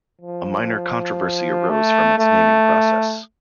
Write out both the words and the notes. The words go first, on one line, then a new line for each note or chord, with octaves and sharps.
A minor controversy arose from its naming process.
F3
A3
A3